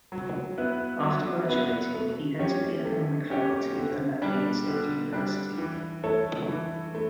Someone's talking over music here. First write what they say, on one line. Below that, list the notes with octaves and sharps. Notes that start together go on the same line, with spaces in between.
After graduating, he entered the economic faculty of the Latvian State University.
F#3
B3 E4 B4
F#3
B3 E4 B4
A3
C#4 G4 C#5
A3
C#4 G4 C#5
D3
G3 D4
D3
G3 D4
E3
A3 E4 A4 C#5
E3
A3